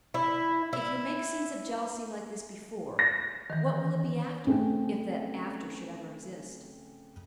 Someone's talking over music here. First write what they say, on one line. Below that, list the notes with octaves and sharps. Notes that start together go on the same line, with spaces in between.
If you make scenes of jealousy like this before, what will it be after, if that after should ever exist?
E4
E4
A#6
D#3 E3
C#3 A3 C4 C#4